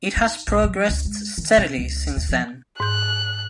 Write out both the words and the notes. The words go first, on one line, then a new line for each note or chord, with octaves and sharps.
It has progressed steadily since then.
D#4
A#1
F#3
C#2
G#3
D#3
C3
C#2
D#2
F3
G#2 F#6 G6